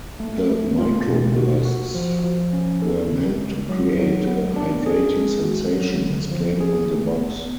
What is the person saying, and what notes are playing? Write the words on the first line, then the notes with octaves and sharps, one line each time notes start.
The "micro-bursts" were meant to create "a hydrating sensation", as claimed on the box.
A3
A3
F4
B2
F#4
F#4
F3
F3
C#4
A4
C#3
G#3
F#3
F#3
B3
D4
G#4
G#3
F#4
F#3
D3
F3
G#4
A3
B3